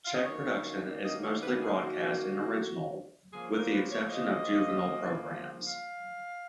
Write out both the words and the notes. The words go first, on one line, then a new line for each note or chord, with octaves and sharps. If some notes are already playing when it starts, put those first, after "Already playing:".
Czech production is mostly broadcast in original, with the exception of juvenile programs.
F5
D#5
F#2 D#3 A#3 C#5
D#5
C#5
B4
G#4
F#4
C#3 F3 A#3 G#4
A#4
B4
C#5
D#5
F5